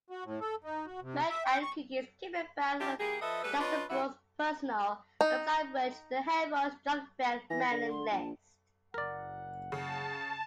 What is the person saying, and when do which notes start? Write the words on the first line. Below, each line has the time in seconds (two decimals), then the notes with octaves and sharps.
"MilkandCookies" came about when Jaxon Brooks' personal website merged with Hellroy's Junkmail mailing list.
0.10 F#4
0.24 A2
0.41 A4
0.64 D#4
0.86 F#4
1.02 C3
1.29 E5
1.45 G5
1.62 C#6
2.80 F3 D4 E4 G4
2.99 E3 A#3 G4 G#4
3.22 F3 A4 B4 D#5 E5
3.44 G3 A3 G#4 A4 B4
3.59 D4 F4 B4 C#5 D#5
3.90 G2 E3 B3 E4 F#4 F#5
5.21 D#4
7.50 E3 A#6
7.71 D3
7.90 C6
8.11 A#1 A5
8.94 F#1 A#4 D5 F#5
9.72 C#3 A5